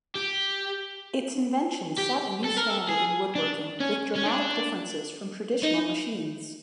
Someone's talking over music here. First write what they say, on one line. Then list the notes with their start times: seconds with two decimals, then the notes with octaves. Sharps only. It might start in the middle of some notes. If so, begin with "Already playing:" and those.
Its invention set a new standard in woodworking, with dramatic differences from traditional machines.
0.15 G4
1.98 G4
2.44 A4
2.57 A#4
2.70 A4
2.89 G#4
3.35 D4
3.80 C#4
4.16 C#4
4.26 D4
5.63 D#4